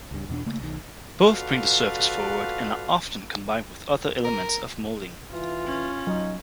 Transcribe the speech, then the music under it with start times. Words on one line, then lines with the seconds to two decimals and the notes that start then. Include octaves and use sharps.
Both bring the surface forward, and are often combined with other elements of moulding.
0.11 C#2 G2
0.29 E2 B2 A#3 D4
0.46 C#3 A3 A#3
0.60 B1 D#3
1.22 F4 F#4 A4 B4 D5 F5
4.25 A#4
5.31 E3 F4
5.67 C#4
6.07 F#3 D#4